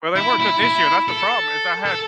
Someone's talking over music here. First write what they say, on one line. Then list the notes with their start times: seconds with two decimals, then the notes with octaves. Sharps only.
Well, they weren't good this year, and that's the problem is I had
0.16 E4
0.40 E4
0.62 E4
1.08 A4
1.86 A4